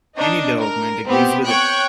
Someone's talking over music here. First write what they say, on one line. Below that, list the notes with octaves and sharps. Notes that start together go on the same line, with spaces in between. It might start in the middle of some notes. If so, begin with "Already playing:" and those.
Any development agrees with it.
D4 D#4
A#4
B3 C4 G4
C#5 G5 C#6 F#6